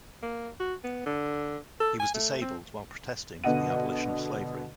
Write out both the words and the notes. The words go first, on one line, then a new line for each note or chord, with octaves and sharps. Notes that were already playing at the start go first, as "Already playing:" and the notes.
He was disabled while protesting for the abolition of slavery.
A#3
F#4
B3
D3
A4
G#5
A3
C4
B2 D3 D#5 F#5 D#7